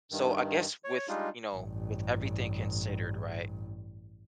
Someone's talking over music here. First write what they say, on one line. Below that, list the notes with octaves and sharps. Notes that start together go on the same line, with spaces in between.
So, I guess with, you know, with everything considered, right?
G2 D#3
C#5
G3 G#3 D4 D#4 F4
A1 G2